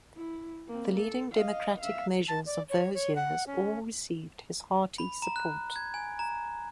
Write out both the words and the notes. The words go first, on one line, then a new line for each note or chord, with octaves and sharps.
The leading Democratic measures of those years all received his hearty support.
E4
A#3 C4
A4
D#5 F5
E5 F5
A5
D5
C#5
C#5
F#5
C#4
B5
A#5
F#6
G#6
G#5
A#5